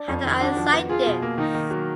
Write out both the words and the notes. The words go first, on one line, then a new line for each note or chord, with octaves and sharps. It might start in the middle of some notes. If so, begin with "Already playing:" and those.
How do I cite this?
Already playing: D4
F2
D#3
D4 F#4
F3
B3
F4 G#4
B2
A#3
D#3 D#4
D#3
F#3